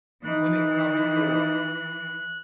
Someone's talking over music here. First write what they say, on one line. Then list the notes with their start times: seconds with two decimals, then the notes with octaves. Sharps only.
when it comes to
0.24 E3 D#4 F#6